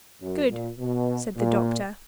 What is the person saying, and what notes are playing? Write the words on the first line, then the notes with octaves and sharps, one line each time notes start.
"Good," said the doctor.
F#2
A#2
B2
A#2